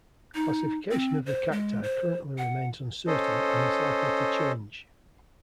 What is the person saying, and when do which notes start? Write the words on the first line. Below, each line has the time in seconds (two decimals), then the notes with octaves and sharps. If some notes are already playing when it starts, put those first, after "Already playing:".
Classification of the cacti currently remains uncertain and is likely to change.
0.35 D#4
0.91 C4
1.26 C5
1.52 G#3
1.83 C5
2.38 F#5
3.07 C#4 A4 C5 D#5